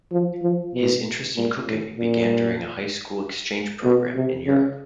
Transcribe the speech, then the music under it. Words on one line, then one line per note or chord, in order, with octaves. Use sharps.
His interest in cooking began during a high school exchange program in Europe.
F3
F3
B2
A#2
A2
A#2
B2
C3
C#3